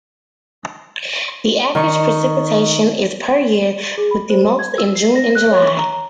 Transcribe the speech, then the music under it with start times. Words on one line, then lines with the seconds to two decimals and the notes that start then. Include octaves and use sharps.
The average precipitation is per year, with the most in June and July.
1.75 D#3 C#6
3.98 G#4
4.11 B5
4.30 C5
4.59 G#6
4.78 E6
4.96 C7
5.16 A#6
5.35 F#6
5.51 C#5
5.66 C#6
5.78 A#5
5.93 A#5